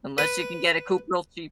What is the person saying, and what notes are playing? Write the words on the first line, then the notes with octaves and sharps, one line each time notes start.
unless you can get a coop real cheap.
B4